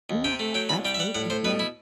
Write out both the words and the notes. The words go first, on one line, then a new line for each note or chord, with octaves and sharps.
Yeah, absolutely, yeah.
D#2
C3 G5
A3
F#3 G5
C2 B5
G3 G5
E5
G3 F#5
A2 F#5
A2 C5
B2 B4
E4